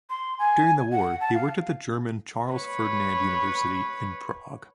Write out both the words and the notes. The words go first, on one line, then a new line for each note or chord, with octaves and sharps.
During the War, he worked at the German Charles-Ferdinand University in Prague.
C6
G#5
F#5
A5
F5
B4 C#5